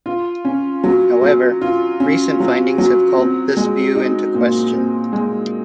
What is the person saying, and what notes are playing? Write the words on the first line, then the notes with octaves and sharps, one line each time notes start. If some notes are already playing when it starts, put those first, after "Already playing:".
However, recent findings have called this view into question.
F4
C#4
F#3
F#3
F4
C#4
F#3
F#3
C4
G#3
D#4
A#2
C4
G#3